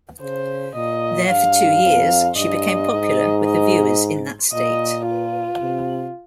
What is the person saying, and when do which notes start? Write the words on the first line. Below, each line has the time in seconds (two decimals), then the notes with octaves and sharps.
There for two years, she became popular with the viewers in that state.
0.21 C#3 C5
0.75 A#2 D#5
1.29 G2 F5
1.83 F2
2.37 G2 D#5
2.90 G#2
3.44 D#5
4.53 A#2 D#5
5.06 F4
5.61 C3